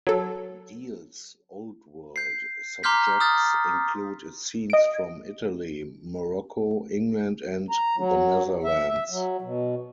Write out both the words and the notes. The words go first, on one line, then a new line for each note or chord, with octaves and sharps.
Diehl's Old World subjects include scenes from Italy, Morocco, England, and the Netherlands.
F#3 A4
G6 C7
A#5 C6 D6 F6 G6 B6
D#6 F6 G6 A6
D#5 D7
A#5
F#3
E5
E5
F#3
B2